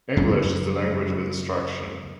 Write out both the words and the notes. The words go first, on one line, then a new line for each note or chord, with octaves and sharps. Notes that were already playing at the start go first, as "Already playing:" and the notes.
English is the language of instruction.
F#2 C#3 F#3 A#3